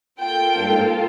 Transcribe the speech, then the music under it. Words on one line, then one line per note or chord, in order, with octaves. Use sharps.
in a
A#3 F4 A4 G5